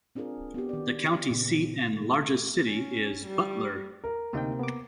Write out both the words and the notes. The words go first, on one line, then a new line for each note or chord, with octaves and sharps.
The county seat and largest city is Butler.
C4 D4 F4 G#4 A#4
B3 F#4 G4
D#3 D5
A#2 C#3 B3 G#4
E3 A3
C#4
G3
A#4
D2 C3 A#3 C4 D#4 G5
B3 D6